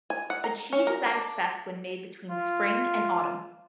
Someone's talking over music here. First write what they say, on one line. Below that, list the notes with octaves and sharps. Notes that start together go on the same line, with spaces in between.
The cheese is at its best when made between spring and autumn.
G#5
F#5
A#5
C#4
A#4
D4
F4